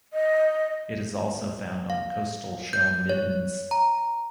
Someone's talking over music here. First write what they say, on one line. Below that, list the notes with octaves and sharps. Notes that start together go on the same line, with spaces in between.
It is also found on coastal shell middens.
D#5
F5
G6
C#5
A#5